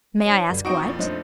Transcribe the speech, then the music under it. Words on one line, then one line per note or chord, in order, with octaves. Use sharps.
"May I ask what?"
D#4 C#5
G2 D3 G3
C4 D#4 E4 F#4 G5 C#6 D#6 D7
F2 A#2
A3 D4 D#4 C5 D#5